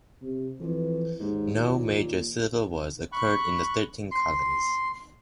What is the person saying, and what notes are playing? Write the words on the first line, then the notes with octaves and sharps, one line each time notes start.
No major civil wars occurred in the thirteen colonies.
C3
F2 E3
D#2 G#2
A#2
B5 C#6 F#6
C6